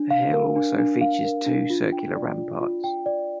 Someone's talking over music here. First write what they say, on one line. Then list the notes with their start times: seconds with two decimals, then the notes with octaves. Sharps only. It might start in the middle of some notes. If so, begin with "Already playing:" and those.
The hill also features two circular ramparts.
Already playing: D4
0.11 F5
0.33 A#4
0.56 D4
0.79 D4
1.01 F5
1.24 A#4
1.46 D4
1.70 F4
1.92 G5
2.15 D5
2.38 F4
2.61 F4
2.84 G5
3.06 D5